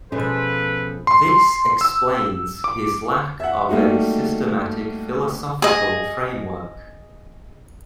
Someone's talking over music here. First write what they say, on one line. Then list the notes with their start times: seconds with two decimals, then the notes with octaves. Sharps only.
This explains his lack of a systematic philosophical framework.
0.12 B2 F3 G#3 C#4 A4 B4
1.07 C6
1.81 E6
2.64 D6
3.40 E5 F#5
3.69 G3 A3 A#3 D#4 F#4
5.62 G#4 D#5